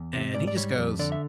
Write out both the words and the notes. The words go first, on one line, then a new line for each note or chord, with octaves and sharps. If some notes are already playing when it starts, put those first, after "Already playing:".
and he just goes,
Already playing: E2
C3
G#2 D5
D5
G3 C#5
F2
D3 D5
E5